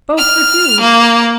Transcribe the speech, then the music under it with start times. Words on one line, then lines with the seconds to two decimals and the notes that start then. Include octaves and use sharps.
Both refused.
0.18 F6
0.81 A#3